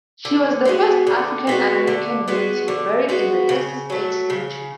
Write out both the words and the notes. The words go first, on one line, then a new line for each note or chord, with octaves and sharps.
She was the first African-American woman to be buried in the Texas State Cemetery.
D3
G#3 B3 F#4
D3
G#3 B3 F#4
D3
G#3 B3 F#4
D3
G#3 B3 F#4
C#3
F#3 A3
C#3